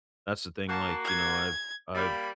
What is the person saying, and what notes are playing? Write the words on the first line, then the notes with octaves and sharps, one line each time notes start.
that's the thing, like, you know, I've I've
A#3 F#4 A5
G#6
G3 A#3 B5